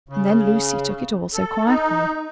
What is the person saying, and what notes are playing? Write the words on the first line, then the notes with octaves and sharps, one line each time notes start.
And then Lucy took it all so quietly.
C#3
A4
D#4